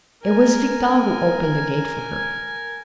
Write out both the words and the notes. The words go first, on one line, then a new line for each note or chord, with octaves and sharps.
It was Victor who opened the gate for her.
A#4 G#5